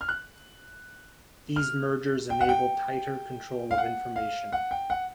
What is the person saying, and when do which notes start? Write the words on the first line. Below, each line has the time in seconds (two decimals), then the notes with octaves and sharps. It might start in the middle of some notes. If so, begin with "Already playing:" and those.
These mergers enable tighter control of information.
0.01 F6
0.09 F#6
1.56 F6
2.30 G5
2.41 F#5
2.49 G5
3.71 F5
3.78 F#5
4.16 F5
4.52 F#5
4.71 G5
4.90 F#5